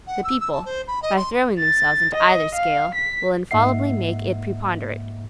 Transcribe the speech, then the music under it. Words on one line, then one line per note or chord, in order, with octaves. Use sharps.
The people, by throwing themselves into either scale, will infallibly make it preponderate.
F#5
E6
E6
A5
C5
B5
D#5
C6
A6
D#5
F5
B6
G#2 A#3 D#5 E5 F#5 C7